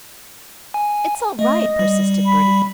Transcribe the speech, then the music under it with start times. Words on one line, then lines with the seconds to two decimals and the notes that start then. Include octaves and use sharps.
"It's all right," persisted Bertie.
0.74 G#5
1.39 A3 D#5
1.79 G3
2.26 B5